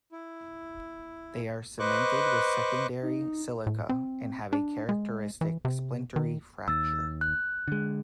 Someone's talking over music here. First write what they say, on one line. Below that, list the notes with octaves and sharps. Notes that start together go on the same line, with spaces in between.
They are cemented with secondary silica and have a characteristic splintery fracture.
E4
B4 C5 D#5 C#6 D6 F#6
D#4
A2
C4
D4
G#3
E3
C3
D#3
D#2 E6 A6
F#6
D3 G#3